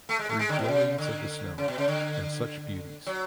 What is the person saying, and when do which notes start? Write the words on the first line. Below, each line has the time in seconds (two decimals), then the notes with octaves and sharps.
Three glories of the snow, and such beauties!
0.09 A3
0.19 G#3
0.29 A3
0.39 G#3
0.49 D3
0.59 B2
0.68 C#3
0.98 D3
1.58 C#3
1.68 B2
1.78 C#3
1.88 D3
3.07 F#3